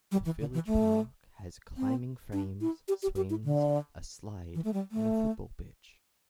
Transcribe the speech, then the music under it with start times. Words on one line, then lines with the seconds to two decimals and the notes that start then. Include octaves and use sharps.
The village park has climbing frames, swings, a slide and a football pitch.
0.12 G3
0.26 E3
0.40 D3
0.54 E3
0.67 A3
1.78 C4
2.33 D4
2.61 E4
2.88 G4
3.03 G4
3.16 G4
3.30 E4
3.44 D3
4.55 E3
4.64 A3
4.73 G3
4.92 A3